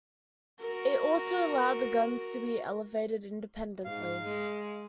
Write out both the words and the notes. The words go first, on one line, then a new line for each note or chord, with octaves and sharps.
It also allowed the guns to be elevated independently.
F#4 A#4
G#2 F5
G#3